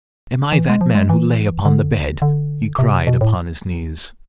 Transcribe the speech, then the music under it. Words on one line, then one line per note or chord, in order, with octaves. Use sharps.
"Am I that man who lay upon the bed?" he cried, upon his knees.
E3
G#3
F3
G#3
E3
D3
D3
C3
B2
A2